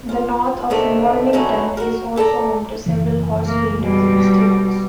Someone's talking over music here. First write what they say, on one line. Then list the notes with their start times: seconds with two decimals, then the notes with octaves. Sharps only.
The north of Mornington is also home to several horse breeders and stables.
0.09 F4
0.70 C3 D#3 A3 D4
1.33 D3 F#3 A3 B3 C#4 D#4
1.77 F#4 A#4
2.16 E4 A4 D5 A#5
2.86 F#1 E3
3.46 A#3
3.81 B2 G3